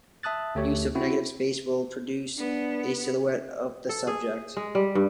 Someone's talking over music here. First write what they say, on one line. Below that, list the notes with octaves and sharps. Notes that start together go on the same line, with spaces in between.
Use of negative space will produce a silhouette of the subject.
E5 A5 D#6 F#6 A6
D2 A3 G4 C#5
C4 E4 F#4
B3 D4
A4
G#4
G#3
G3
G2